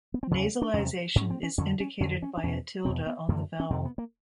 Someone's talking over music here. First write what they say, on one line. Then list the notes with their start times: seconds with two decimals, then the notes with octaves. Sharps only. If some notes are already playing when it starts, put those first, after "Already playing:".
Nasalisation is indicated by a tilde on the vowel.
0.14 B3
0.23 C4
0.31 E2 C#3 C#4
0.62 D4
0.73 E2 C3 C#4
1.15 G#2 C#4
1.30 C4
1.43 C#4
1.58 F2 D3 C#4
1.80 C#4
2.01 F2 D3 C#4
2.22 C#4
2.37 D4
2.43 E2 B2 C#4
2.85 E2 B2 C4
3.07 B3
3.29 F#2 D3 A#3
3.60 C#4
3.70 F2 C3 C4
3.85 B3
3.98 A#3